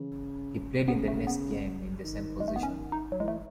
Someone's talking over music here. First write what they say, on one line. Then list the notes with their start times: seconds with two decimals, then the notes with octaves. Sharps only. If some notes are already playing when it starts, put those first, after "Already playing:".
He played in the next game in the same position.
Already playing: C#3 E3
0.88 C#3 B3
1.08 A3
1.27 B3
2.04 D#3
2.40 G#3
2.48 A3
2.56 B3
2.63 C#4
2.92 D#4
3.12 F#3
3.20 E3 G#3
3.28 A3